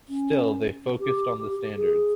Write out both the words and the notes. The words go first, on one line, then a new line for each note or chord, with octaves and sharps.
Still they focused on the standards.
C#4
G4
G#4